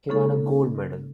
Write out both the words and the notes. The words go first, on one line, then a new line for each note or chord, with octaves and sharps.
He won a gold medal.
C#3 G#3 A#3 C#4 D#4 A4